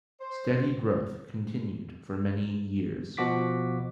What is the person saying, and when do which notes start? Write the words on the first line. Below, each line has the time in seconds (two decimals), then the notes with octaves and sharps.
Steady growth continued for many years.
0.20 C5
3.17 B2 F3 F#4 D6 B6